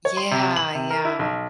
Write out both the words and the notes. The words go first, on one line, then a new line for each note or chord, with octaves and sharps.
Yeah, yeah.
C#5
C6
C3
F#7
C3
A#4
E4
B1